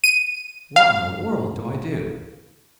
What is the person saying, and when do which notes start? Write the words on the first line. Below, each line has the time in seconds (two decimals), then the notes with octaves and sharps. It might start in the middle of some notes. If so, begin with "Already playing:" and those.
What in the world do I do?
0.04 D#7
0.76 F5